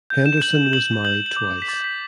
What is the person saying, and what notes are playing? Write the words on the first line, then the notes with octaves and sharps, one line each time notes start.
Henderson was married twice.
G6
E7
G6 F#7
G6 F#7
G6 F#7
F#7
D6
B6
D6 A6
B6